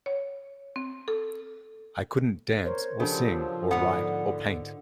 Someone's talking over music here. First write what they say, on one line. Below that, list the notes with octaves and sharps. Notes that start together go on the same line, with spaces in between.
I couldn't dance or sing or write or paint.
C#5
C4
A4
A#4 C5 C#5
C#3 F3 F#3 D4 G4 A4
G#2 D3 B3 F4 F#5